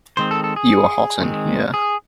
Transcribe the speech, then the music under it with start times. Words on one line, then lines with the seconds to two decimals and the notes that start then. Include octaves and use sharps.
You are hot in here!
0.17 D#3 G#3 C4 C5
0.31 A4
0.44 A4
0.56 G#4
1.22 D#3 G#3 C4
1.74 G#4